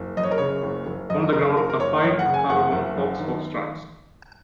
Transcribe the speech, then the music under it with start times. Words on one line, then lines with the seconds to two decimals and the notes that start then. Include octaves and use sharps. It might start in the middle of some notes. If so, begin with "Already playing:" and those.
On the ground, a pied currawong hops or struts.
Already playing: F#1
0.17 F#2 D#5
0.24 C#5
0.31 A#4
0.38 C#3 C#5
0.63 F#1
0.87 F#1
1.10 F#2 D#5
1.33 C#3 A#4
1.56 F#1 A#4
1.70 A#4
1.79 F#1 C#5
2.03 F#2 C#5
2.19 F#5
2.26 C#3
2.34 G#5
2.50 F#1 F#5
2.72 F#1
2.96 F#2
3.19 D#3